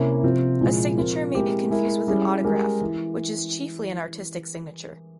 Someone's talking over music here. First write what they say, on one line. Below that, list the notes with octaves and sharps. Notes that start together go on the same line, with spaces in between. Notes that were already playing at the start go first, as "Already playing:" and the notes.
A signature may be confused with an autograph, which is chiefly an artistic signature.
Already playing: C3 A#3 C#4 E4
C3 F3 C4 F4
A#2 F3 G#3 E4
F3 C4 F4 A#4
G#3 C4 E4 G4 A#4
G#3 E4 A#4
G3 C#4 E4 G#4
G#3 C#4 G4 A#4
E3